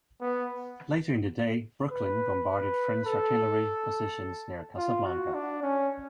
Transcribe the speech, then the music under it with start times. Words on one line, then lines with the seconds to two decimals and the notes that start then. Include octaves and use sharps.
Later in the day, "Brooklyn" bombarded French artillery positions near Casablanca.
0.21 B3
1.91 B4
2.49 B4
3.06 A4
4.77 F4
5.06 F#4
5.34 D4
5.63 C#4